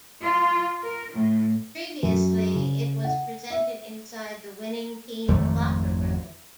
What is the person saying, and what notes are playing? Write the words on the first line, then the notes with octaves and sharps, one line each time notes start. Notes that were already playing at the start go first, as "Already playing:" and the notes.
Previously, it was presented inside the winning team's locker room.
F4
A#4
A2
F#2
C#3
F#5
E5
G#1 F2 D#3 A3